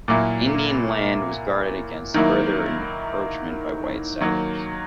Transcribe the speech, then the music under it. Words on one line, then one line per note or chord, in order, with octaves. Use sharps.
Indian land was guarded against further encroachment by white settlers.
A#2 F#3 A#3 E4
D#3 F#3 A#3 E4
D#3 F#3 A#3